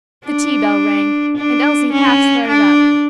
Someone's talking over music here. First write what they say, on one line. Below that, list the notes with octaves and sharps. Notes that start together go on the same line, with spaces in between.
The tea-bell rang, and Elsie half started up.
D4
D4
C#4
D4